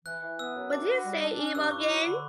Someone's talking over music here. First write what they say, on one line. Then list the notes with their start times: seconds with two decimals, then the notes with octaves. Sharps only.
What do you say, Imogen?
0.05 E3 F#6
0.23 E3
0.39 B3 E6
0.55 F#2
0.71 D4 D6
0.88 F#4
1.05 G3
1.22 D4
1.38 C#4
1.47 F#6
1.55 G2 E6
1.64 D6
1.71 E4 C#6
1.83 D6
1.89 F#3 C#6
2.05 D3 B5